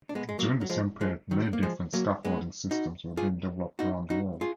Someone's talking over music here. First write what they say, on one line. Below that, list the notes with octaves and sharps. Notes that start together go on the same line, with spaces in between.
During the same period many different scaffolding systems were being developed around the world.
D4
G#3 B3
G#3
F#3 A#3
F#3
F3 G#3
F3 G#3
D#3 F#3
A#3
F3 G#3
F#3 A#3
G#3 B3
D#4 F#4
F4 G#4
D#4 F#4
D#4 F#4
F4 G#4